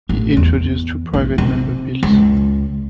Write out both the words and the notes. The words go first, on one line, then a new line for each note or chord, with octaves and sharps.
He introduced two private member bills.
A1
E2
A#1
C3
C#2